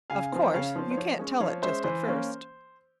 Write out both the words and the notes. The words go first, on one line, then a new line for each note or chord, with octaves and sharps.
Of course you can't tell it just at first.
C#3 F5 G#5
F3 C4
G5
C#3 C#5 F5
F3 C4
C5
F3 C#5
G#3 C#4
F3 C#5 F5
G#3 C#4 C5 E5
E3 C5
A#3 C#4